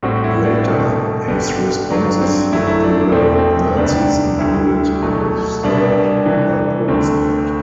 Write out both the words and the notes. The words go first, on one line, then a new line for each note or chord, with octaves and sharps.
Later, his responses to the Nazis included "The Third Walpurgis Night".
A2 G3 C4 F#4
E4
D4
C2 B2 A3 C4
G2 D3 G3 B3
G2 D3 F#3 D4
C4
F#2 D3 F#3 A3 E4
E4
D4
D4
E2 B2 A3 C4
C4
D2 C3 G3 B3 D4
D2 D3 G3 E4
B2 F#3 A3
C2 B2 G3 C4 D4
C2 C3 E3
D2 D3 A3 C4